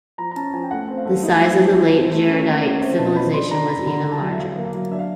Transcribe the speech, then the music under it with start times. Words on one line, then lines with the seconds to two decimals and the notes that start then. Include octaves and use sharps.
The size of the late Jaredite civilization was even larger.
0.18 F3 A#5
0.31 A#5
0.36 C#4 A5
0.54 F3 G#5
0.63 G5
0.71 A3 F#5
0.88 C4
0.97 F5
1.05 A3
1.23 D#4 E5
1.41 F3 F5
1.59 F3 E5
1.76 E3
1.94 C4
2.11 A3
2.29 C#4
2.46 A#3
2.63 C#4
2.81 C4 E5
2.98 B2 A5
3.16 B2 B5
3.34 D4 C6
3.51 D4 A#5
3.68 D4 B5
3.86 D3 A#5
4.03 D3
4.12 A5
4.21 F#3
4.32 E5
4.38 F#3 F5
4.56 A#3
4.65 F5
4.74 F#3
4.91 D4 E5
4.99 F5